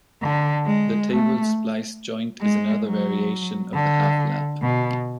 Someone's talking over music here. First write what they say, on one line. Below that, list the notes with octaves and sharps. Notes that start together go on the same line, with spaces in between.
The tabled splice joint is another variation of the half lap.
D3
G#3
A3
G#3
F#3
D3
B2